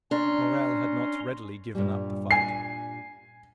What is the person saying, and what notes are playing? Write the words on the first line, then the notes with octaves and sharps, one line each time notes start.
M. Morrel had not readily given up the fight.
C#4 D4 A#5 C6
G2 A#2 G3
G#5 C7